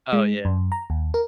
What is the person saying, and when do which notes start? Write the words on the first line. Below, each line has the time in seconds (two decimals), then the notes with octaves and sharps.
Oh, yeah.
0.13 G#3
0.45 F#2
0.72 A#5
0.90 D#2
1.14 A#4